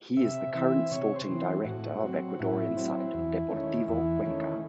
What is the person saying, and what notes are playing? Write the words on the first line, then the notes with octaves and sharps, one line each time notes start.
He is the current sporting director of Ecuadorian side Deportivo Cuenca.
C3 E5
E3 C4 E5
C3 C#5
C5
E3 C4
A2 F#4
F#3 C4
A2 E4
F#3 C4
E2
D#3 A3 C#4
E2 E4
D#3 A3 C#4